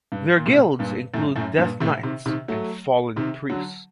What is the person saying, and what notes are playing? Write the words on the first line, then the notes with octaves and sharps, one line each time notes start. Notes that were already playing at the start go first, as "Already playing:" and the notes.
Their guilds include death knights and fallen priests.
G2
A#2
A2 C3
G2 A#2
F#2 A2
F#2 A2
G2 A#2
A2 C3
C3 D#3
C3 D#3
F#3 A3
C3 D#3
D3 F#3